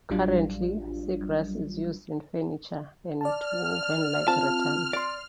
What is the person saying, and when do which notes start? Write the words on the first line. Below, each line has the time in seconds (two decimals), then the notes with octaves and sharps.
Currently, seagrass is used in furniture, and woven like rattan.
0.10 A1 F#3 G3 D4 F4
3.21 D5 A5 F6
4.28 C4 F4 A5
4.93 D5 C6 F6